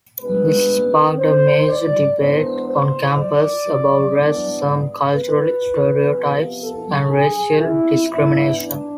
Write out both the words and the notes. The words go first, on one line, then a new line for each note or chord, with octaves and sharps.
This sparked a major debate on campus about racism, cultural stereotypes, and racial discrimination.
B2 G#3 D4 B4
C5
D5
E3 G#3 B3 D4 C5
C5
D5
E3 G#3 B3 D4
B4
C3 F3 B3
A4
G#4
E4
E3 B3 D4 E4
D4